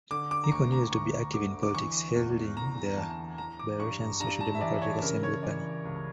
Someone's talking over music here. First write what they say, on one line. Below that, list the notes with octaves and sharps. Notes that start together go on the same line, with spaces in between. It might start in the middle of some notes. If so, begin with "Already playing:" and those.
He continues to be active in politics, heading the Belarusian Social Democratic Assembly party.
D3 D6
D6
A#5
D2 C#6
A#5
A#5
D2 C#6
D3 D6
D6
E3 C#6
E2
E2 A#5
A#5
E3 A5
E3 A#5
D6
G2 C#6
A#5
G2 A#5
A5
E5
E3 D5
C#5
C#3 A#4
C#5
E3 D5
C#2